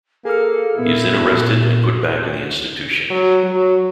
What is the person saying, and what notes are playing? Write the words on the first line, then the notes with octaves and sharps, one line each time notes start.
He is then arrested and put back in the institution.
A#3 G#4 A4 F6
A#2 B3 E4 A#4
F#3
F#3